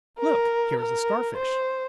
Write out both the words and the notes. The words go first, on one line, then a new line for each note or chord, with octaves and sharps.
Look, here is a Starfish!
A#4
A#4
C5